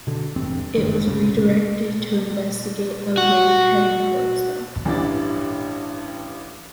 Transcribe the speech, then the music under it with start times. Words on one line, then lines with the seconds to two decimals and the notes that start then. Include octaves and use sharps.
It was redirected to investigate a raid heading towards them.
0.07 B2 D3
0.36 E1 A1 G2 C4
0.75 F#1 G2 D#3
1.06 C2 A2 C#3
3.17 F#4
4.85 A1 G2 D4 E4 A6